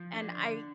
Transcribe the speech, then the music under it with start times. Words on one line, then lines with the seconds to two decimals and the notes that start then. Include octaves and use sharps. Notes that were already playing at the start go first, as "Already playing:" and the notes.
and I
Already playing: F3
0.14 D4
0.37 D3